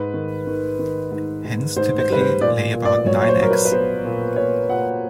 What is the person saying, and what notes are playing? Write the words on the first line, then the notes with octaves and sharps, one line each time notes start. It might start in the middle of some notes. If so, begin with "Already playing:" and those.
Hens typically lay about nine eggs.
Already playing: G#2 B4
D#3
D#3
D#3
G#2
G#2
G#2 C5
C5
G3 B4
C5
A#2 D5
A#2
D5
D5
F#3 C#5
C#5
C5
F#3 A#4
B4
B4
B3 C5
A#2
A#2 C#5
A#2 F#5